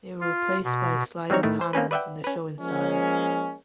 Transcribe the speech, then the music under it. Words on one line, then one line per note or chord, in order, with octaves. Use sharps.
They were replaced by sliding panels in the Shoin style.
F4
B2
F#3 G3 C4 D#4 C#5
A2 D#3 A3 E4
C5
A#3 C4 C#4 B4
B4 D5 E5 F#5 G5
C#4 B4
F3 G#3 A#3 C#4